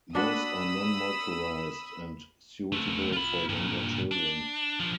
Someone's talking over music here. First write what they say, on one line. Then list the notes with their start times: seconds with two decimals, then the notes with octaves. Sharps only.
Most are non-motorized and suitable for younger children.
0.15 D4 F#4 B5 D#6 E6
2.72 A3 C4
3.13 F4 B5
3.49 G2 A#2
4.11 D4
4.80 F3 D4